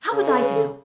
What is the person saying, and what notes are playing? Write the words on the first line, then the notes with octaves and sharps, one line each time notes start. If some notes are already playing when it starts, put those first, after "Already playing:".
How was I to know?
C#3
A4
B4
A4